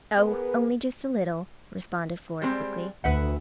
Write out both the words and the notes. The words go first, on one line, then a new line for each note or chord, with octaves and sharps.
"Oh, only just a little," responded Flora quickly.
B3 G#4 A#4 B4
G3 G#3 C4
D2 B4 E5 F#5